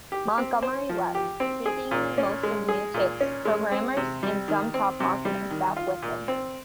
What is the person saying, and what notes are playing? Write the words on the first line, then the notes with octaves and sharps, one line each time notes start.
Montgomery left, taking most of NewTek's programmers and some top marketing staff with him.
G4
C4
C5
F3
G4
C4
G#4
A#2
C#4
G#3
G#4
A#2
C#4
G#3
C4
C3
G3
D#3
C4
C3
G3
D#3
F4
A#2
C4